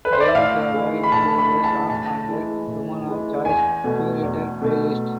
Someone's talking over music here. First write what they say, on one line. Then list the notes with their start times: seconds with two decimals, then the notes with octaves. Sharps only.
Lady Gaga included the song on her "Women of Choice" curated playlist.
0.05 B4
0.13 C5
0.20 D5
0.28 E5
0.35 A2 F5
0.74 E3 G#3
1.03 B5
1.12 A2 A5
1.38 B5
1.51 E3 G#3
1.64 A5
1.90 A2 A5
2.29 E3 G#3
2.67 A2
3.07 E3 G#3
3.45 E2 G#5
3.84 B2 A3
4.22 E2
4.61 B2 A3